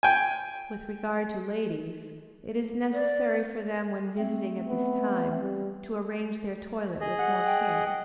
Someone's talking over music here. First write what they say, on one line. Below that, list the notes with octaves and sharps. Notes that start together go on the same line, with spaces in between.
With regard to ladies, it is necessary for them when visiting at this time, to arrange their toilet with more care.
G5 G#5
D5
A3 C4
B3
G3
G#4 D#5
F#5
G5